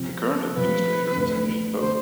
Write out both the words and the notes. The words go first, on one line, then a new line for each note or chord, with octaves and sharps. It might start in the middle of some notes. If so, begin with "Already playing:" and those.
The current Administrator is Neil Pope.
Already playing: C3 F3 C4
A4
C3 F3 C4 B4
D2 D3 A3
D3 A3 C5